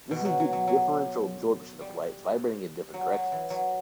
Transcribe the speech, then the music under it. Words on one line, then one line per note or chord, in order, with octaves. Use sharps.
This is due to differential absorption of light vibrating in different directions.
B2
F#3
F#3
F#3
F#3
G3
F#3
F#3
E3
F#3